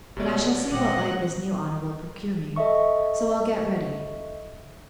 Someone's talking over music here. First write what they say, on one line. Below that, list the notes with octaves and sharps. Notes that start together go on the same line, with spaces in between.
But I shall see what light this new honour will procure me!--So I'll get ready.
F1 F#2 B2 G4 C#5 D5
A#2 G#3 C4 D#5 F#5 G5 D6
A4 D#5 E5 C#6